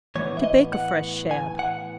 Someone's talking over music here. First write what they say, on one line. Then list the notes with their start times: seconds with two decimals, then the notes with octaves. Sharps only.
To Bake a Fresh Shad.
0.15 A2 E3 B3 C#5
0.37 E5
0.44 D#5
0.73 F#5
1.31 G#5
1.59 F#5